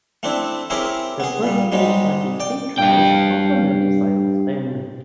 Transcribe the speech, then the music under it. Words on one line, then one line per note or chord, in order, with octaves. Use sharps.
The "Bub Motorcycle Speed Trials" are for motorcycles only.
A3 C4 D4 E4
C4 E4 G4 G#4 A#4 C#5
B3 G#4
A#2 G3
G#2 G3 G#3 D#4
D5 G5
G2 F5 G5